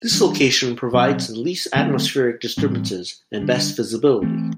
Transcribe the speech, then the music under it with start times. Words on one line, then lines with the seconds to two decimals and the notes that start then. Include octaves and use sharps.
This location provides the least atmospheric disturbances and best visibility.
0.11 E3 G3 D4
0.93 B2 F#3 C4
1.76 D3 F#3 A3 C4
2.57 A2 E3 G3 C4
3.40 D3 G3 D4
4.22 E3 A3 C4